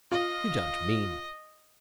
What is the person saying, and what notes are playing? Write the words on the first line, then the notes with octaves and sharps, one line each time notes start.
"You don't mean--?"
F4 D#5